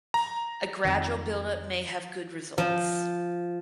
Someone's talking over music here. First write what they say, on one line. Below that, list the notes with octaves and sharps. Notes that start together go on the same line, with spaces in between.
A gradual buildup may have good results.
A#5
F2 D#3
F3